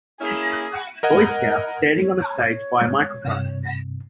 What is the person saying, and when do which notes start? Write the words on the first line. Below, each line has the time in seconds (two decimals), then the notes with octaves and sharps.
Boy Scouts standing on a stage by a microphone.
0.21 A#3 C#4 E4 G#4
1.03 A#4 D#5 F#5 G#6
2.01 C#5
3.25 G2 C3